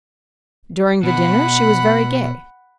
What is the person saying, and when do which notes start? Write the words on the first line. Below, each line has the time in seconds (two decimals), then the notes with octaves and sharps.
During the dinner she was very gay.
1.03 B2 F#5 B5